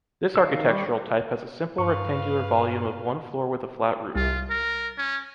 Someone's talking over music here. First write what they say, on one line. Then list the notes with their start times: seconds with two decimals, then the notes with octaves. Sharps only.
This architectural type has a simple rectangular volume of one floor with a flat roof.
0.36 D#3 F5 E6
0.66 G3 G4 C#6
1.78 G2 B4 F5 C#6
4.15 C2 F4
4.50 A#4
4.98 C#4